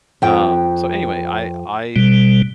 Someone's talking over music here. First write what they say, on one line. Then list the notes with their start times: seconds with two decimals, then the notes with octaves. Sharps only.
Um, so anyway, I I
0.22 F2 G5
1.96 B2 G3